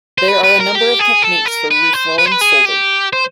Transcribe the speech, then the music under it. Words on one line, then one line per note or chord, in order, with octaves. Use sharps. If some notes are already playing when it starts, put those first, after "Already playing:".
There are a number of techniques for reflowing solder.
C5
B4
B4
A#4
G4
G#4
A4
A#4
B4
C5
B4
C5
B4
G#4
G4
C5